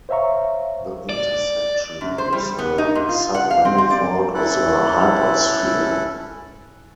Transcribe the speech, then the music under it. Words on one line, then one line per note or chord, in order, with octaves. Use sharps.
The intersection gives a submanifold of the hypersphere.
C5 C#5 E5 F5 A#5 C#6
D5
F#2
C5
G3
B3
D#4
G#2
F4
F#5
F5
C4
C4
D5
C#4 E4 A4 F#6